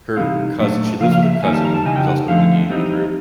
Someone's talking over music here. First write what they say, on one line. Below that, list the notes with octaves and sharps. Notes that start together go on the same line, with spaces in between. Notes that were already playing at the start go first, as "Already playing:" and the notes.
her cous she lives with her cousin who's also in the D&D group.
C3 E3 G3 C4 D#4 F5
A#2 F#3 A3 D4
C#3 F3 A#3 F5
F5
E5
E5
D#3 G3 A#3 D#4 G#5
A5
A#5
A5
C#3 E3 G3 D#4 G#5
G5
F#5
D3 F3 A3 F5
E3 G3 C4 D#4